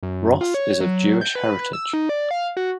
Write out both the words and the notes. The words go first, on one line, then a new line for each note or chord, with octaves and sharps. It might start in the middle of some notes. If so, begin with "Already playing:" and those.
Roth is of Jewish heritage.
F#2
F4
C#5
F#3
G6
B4
E6
D#4
D5
F5
F#4